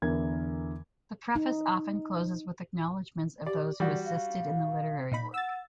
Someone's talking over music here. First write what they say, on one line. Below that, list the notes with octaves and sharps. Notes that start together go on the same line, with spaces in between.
The preface often closes with acknowledgments of those who assisted in the literary work.
E2 D3 E3 A#4 G#6
D#4
G4 D5
E3 G3 F#4 D5
F5
A#2 D#4 B5
F#5 E6 A6